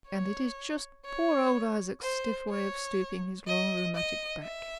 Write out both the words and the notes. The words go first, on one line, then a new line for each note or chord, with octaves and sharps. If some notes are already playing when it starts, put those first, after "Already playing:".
And it is just poor old Isaac's stiff way of stooping his long rheumatic back.
C#5
C#5
C5
C#5
D#5
D#5
E5